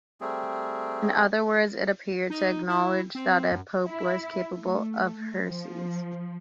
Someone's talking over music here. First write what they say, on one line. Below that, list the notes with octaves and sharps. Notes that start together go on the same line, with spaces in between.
In other words, it appeared to acknowledge that a pope was capable of heresy.
G3 A3 C4 G#4
D#4
E4
C4
F#2
E4
A3
F3